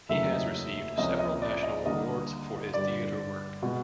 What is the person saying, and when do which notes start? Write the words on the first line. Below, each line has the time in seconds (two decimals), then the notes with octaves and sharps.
He has received several national awards for his theatre work.
0.09 F#1 E2 C#3 F#3 A3 E5
0.32 D#5
0.97 C#2 C3 F3 A#3 C#4 D#5
1.19 D#5
1.42 D5
1.63 D#5
1.85 D#2 D3 G3 A#3 D#5
2.74 G2 D3 G3 D5
3.62 B2 G#3